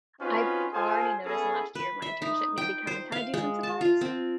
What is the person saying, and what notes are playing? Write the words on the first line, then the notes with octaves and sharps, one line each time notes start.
I've already noticed in the last year of my internship me becoming kinda desensitize,
C4 C#4 D#4 F4 F#4 B4
F4 G#4 A4 C5 G#5
B3 C#4 E4 G#4 A4
B4
E5
D#4
G5
C5
F5
G#3
A5
F4
C4